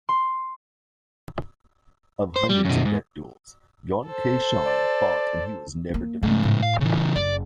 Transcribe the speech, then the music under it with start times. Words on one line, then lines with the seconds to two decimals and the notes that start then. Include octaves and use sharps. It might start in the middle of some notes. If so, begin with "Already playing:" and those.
Of hundreds of death duels Yuen Kay Shan fought in he was never defeated.
0.09 C6
2.36 C5
2.49 G3
2.65 F#2 B2
2.85 G#2
4.06 A4 C5
4.65 D5
5.94 A#3
6.23 G#2 C#3 A3
6.43 A2
6.62 F5
6.80 C#3 E3
7.16 F#1 D5